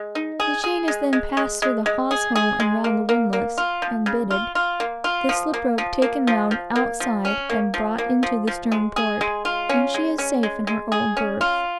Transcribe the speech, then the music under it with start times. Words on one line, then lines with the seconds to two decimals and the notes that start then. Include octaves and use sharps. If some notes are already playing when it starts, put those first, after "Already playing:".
The chain is then passed through the hawse-hole and round the windlass, and bitted, the slip-rope taken round outside and brought into the stern port, and she is safe in her old berth.
Already playing: G#3
0.15 D#4
0.40 G#4
0.64 G#4
0.88 G#3
1.13 G#3
1.37 G#3
1.62 G#3
1.86 G#3
2.11 G#4
2.35 G#4
2.60 G#3
2.84 A#3
3.09 A#3
3.33 A#3
3.58 F4
3.82 F3
4.06 C#3
4.31 F4
4.55 F4
4.80 A#3
5.04 F4
5.29 F3
5.54 A#3
5.78 F3
6.02 A#3
6.27 F3
6.51 F3
6.76 A#3
7.00 F3
7.25 C#4
7.50 A#3
7.74 F3
7.98 A#3
8.23 F3
8.47 F3
8.72 G#3
8.96 G#4
9.21 G#3
9.45 F4
9.69 C#4
9.94 G#3
10.18 C#4
10.43 G#3
10.67 G#3
10.92 G#4
11.17 C#4
11.41 F4